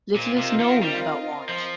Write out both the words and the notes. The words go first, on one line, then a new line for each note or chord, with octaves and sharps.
Little is known about Wand.
A#2 C4 F4 A#4 D#5
C3
D#3
G3
F3